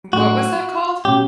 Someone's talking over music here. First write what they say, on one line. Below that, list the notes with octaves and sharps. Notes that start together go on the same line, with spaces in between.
What was that called?
A2 F#3 A3 D4 F#4
B2 F#3 C#4 G4